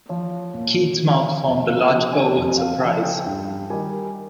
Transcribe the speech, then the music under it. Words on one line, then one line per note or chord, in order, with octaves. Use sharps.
Keith's mouth formed a large O in surprise.
F3 C#5
A#2
F3
F2 D#5
F5
C#3 F3 G5
G#5
F2 G5
F5
C#3 F3 G#5
G5
G2 G5
D#3 G3 G#5